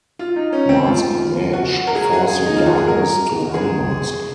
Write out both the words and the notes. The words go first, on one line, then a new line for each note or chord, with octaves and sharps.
Mask Match, forcing Darkness to unmask.
F4
D#4
C#4
C4
F4
F#4
A#4
G#4
F#4
G#4
D#4
F4
F#4
G#4
A#4
F#4
G#4